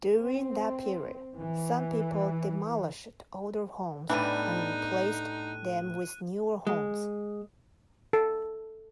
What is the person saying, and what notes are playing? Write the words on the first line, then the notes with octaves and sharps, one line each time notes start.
During that period some people demolished older homes and replaced them with newer homes.
C4
E3
A2 E3 G3 B3 D4 D#4 F#6 D#7
G#3
A4